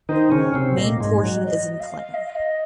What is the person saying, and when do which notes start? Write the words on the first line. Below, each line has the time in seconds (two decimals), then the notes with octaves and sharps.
Main portion is in plan.
0.09 D#3 D#4 C5
0.32 C#3 C#4
0.43 C#5
0.54 C3 C4
0.77 A#2 A#3 D#5
1.00 G#2 G#3
1.23 F#3
1.46 D#5
1.80 F5
2.14 D#5
2.25 F5
2.35 D#5